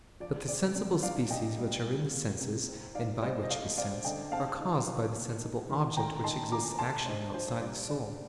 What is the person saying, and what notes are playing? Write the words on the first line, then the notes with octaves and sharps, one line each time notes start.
But the sensible species which are in the senses, and by which we sense, are caused by the sensible object which exists actually outside the soul.
F3 D5
C4 D5
C3
D4 D5 F5
A#2 D#5 G5
G3
G3
A#3
C3
C4
D#4 D5 F5
G3 C5 D#5
D#5
A3 D5 F5
C4 D5 F5
D3 D#5 G5
C4 F5 A5
D#4
F3
A#3
D#4
D#3
A3 G5 A#5
D#4 A5 C6
A#2 A#5 D6
A3 A5 C6
G2 C5 D#5
F3 C5
G3 D5
D4 D5